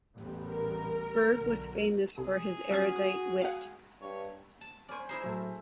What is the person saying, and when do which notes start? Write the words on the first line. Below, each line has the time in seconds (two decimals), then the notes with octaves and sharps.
Burg was famous for his erudite wit.
0.15 A1 E2 G3
0.48 A#4
1.31 B1 D3
2.18 C2 G#4
2.71 F#3 C#4 F#4 G#5
3.42 F5 F#5
4.01 G2 C#5
4.61 A5
4.88 C#4 B4 C5 D5 G#5
5.09 E4 G#4 C5 A#5
5.24 A2 F#3 A4 E5